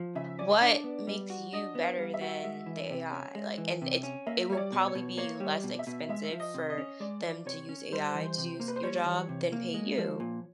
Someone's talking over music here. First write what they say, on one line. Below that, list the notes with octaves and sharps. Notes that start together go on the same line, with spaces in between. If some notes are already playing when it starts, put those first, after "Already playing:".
what makes you better than the AI? Like, and it's it will probably be less expensive for them to use AI to do s your job than pay you.
Already playing: F3
C#3 E5
C#4 D5
D4
B3
G3
F#4
D4 D#5
B3
F5
G3
E5
F#4
G#3
E3
C3
C#4
G#3
E3
C3
C#4
A#3 E5
G3 C#5
D5
B2
C#5
B2
A#3 C#5
G3
D5
B2
E5
B2
G#3 E5
F3
D#5
C3
D#5
C#4
G#3 D5
F3
C3 C#5
C#4
G3 C5
E3
C3
A#3
B4
C5
G3 C#5
E3
C3
A#3
G#3
F3
A#2